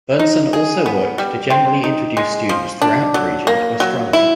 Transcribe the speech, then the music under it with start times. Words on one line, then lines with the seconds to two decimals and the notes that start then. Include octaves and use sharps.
Bernson also worked to generally introduce students throughout the region to astronomy.
0.19 D#4
0.53 G#4
0.86 B3
1.18 G3
1.50 C4
1.84 D#4
2.17 G#3
2.49 F3
2.82 D4
3.14 F#3
3.47 A#3
3.80 F#3
4.13 E4